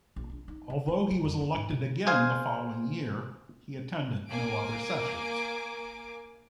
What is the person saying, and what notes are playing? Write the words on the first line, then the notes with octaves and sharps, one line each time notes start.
Although he was elected again the following year, he attended no other sessions.
A#1
D4
D#4
C#3
A3
D#3
F2
A#3
G#2
C3
G#4 C5 F5 G#5
A#3 G#5 D6 D7